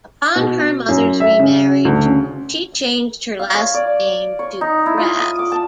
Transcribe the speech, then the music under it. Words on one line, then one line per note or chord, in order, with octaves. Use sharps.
Upon her mother's remarriage, she changed her last name to "Kraft".
B2
F#2
E5
C#3
D2
C#3
F5
C#5
D5
C#5
D#4
E4
F4
D#6
D6
A5